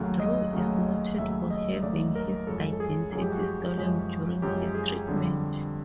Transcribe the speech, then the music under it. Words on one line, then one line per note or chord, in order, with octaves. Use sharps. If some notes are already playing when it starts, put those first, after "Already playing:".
Drew is noted for having his identity stolen during his treatment.
Already playing: D#2 C#3 F#3 A3
D#5
D#2 C#3 F#3 A3
D#2 C#3 F#3 A3 E5
D#5
D#2 C#3 F#3 A3 D5
A#4
F#2 C#3 F3 G#3 A4
A4
G#4
F#2 C#3 F3 G#3 G#4
G4
F#4
G4
F#2 C#3 F3 G#3
F#2 C#3 F3 G#3 G4
G#4
F2 D3 G3